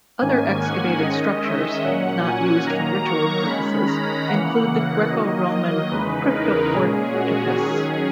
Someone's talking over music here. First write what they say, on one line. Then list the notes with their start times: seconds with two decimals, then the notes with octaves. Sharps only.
Other excavated structures, not used for ritual purposes, include the Greco-Roman cryptoporticus.
0.21 G#2 D#3 A#3 C#4 G#5
0.61 F#5
1.02 D#3 G#3 C#4 D#5
1.43 E5
1.84 A#2 F#3 C#4 F#5
2.24 G#5
2.64 D#3 F#3 A#3 A#5
3.06 C#6
3.47 D#3 G#3 C#4 B5
3.87 A#5
4.28 C#3 E3 A#3 F#5
4.68 F#5
5.09 D#3 F#3 A#3 D#5
5.91 E2 C#3 G#3 D#4 B4
6.31 A#4
6.72 A#2 G#3 C#4 G#4
7.13 F#4
7.53 D#3 F#3 C#4 G#4